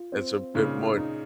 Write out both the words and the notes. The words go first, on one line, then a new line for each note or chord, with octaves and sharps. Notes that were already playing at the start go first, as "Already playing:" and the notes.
that's a bit much,
Already playing: F4
C4
A#2 C#3 D#4
D#4